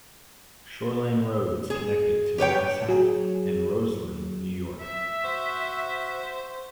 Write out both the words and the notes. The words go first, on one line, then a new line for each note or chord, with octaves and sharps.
Shoreline roads connect it to Manhasset and Roslyn, New York.
G#4
G4 B4 C#5 G5
F#3 G#4
E5
F#4 C5